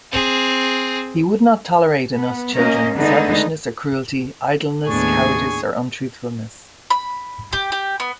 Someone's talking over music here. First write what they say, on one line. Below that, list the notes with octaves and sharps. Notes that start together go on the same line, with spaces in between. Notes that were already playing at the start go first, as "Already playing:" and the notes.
He would not tolerate in us children selfishness or cruelty, idleness, cowardice, or untruthfulness.
C4 G#4
B3
A#3 C#4 A#4 D#5
D3 G#3 A3 B3 D#4
D#2 A2 B3 D4 G#4 G#5 C#6
B5
G4
G4
B3